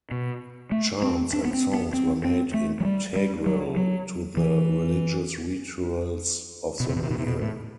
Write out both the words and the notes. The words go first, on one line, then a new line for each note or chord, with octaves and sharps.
Chants and songs were made integral to the religious rituals of the milieu.
B2
A3
C4
D4
B3
C4
B3
C4
C4
A3
F#3
G3
G3
F#3
F#3
E3
B2
C3
B2
C3
B2
C3
B2
A2